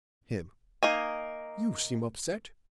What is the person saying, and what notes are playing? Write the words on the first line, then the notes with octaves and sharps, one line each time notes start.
HIM: You seem upset.
A#3 D#4 G#5